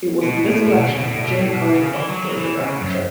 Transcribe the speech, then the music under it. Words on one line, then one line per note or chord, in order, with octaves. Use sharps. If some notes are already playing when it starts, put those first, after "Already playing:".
It was in this election that Jimmy Carter won the Georgia governorship.
B2
A2
A2
B2
C#3
B2
A2
B2
A2
B2
C#3
E3
F#3
F#3
E3
C#3
F#2